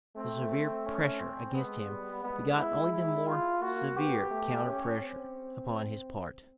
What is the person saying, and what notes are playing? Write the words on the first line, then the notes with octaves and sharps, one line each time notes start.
The severe pressure against him begat only the more severe counter pressure upon his part.
A3 C4
C4
C#4
C4
G#3 B3
G3
G#3 B3
E4
E4
F4
A#3 F#4
B3 G4
A3
C#4
C4